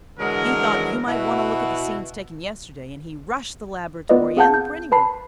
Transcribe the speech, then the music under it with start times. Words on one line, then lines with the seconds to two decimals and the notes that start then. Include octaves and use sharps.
He thought you might want to look at the scenes taken yesterday and he rushed the laboratory and the printing room.
0.19 D3 E3 F#3 G#3 A#4
1.07 B2 E4 F#4
4.09 B3 F4 B4 D5 D#5
4.36 C4 G#4 F5 F#5 A5 G6
4.54 G6
4.92 B4 A5 B5 C7